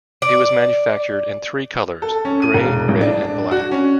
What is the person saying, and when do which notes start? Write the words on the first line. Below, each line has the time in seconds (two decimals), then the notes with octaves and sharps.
It was manufactured in three colors: grey, red, and black.
0.22 D5
2.02 A4
2.25 C#4
2.42 D#7
2.54 E1
2.88 A1
3.01 D4
3.51 F#4
3.71 C#4